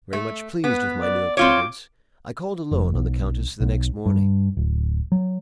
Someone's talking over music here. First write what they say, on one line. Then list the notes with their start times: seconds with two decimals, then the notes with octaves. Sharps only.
Very much pleased with my new acquaintance, I called alone on the countess the next morning.
0.13 A3
0.64 B3 B4
1.01 D5
1.37 C4 F4 C#5 D6
2.71 F1
2.94 B1
3.60 B1
4.06 G2
4.57 D1
5.12 F#3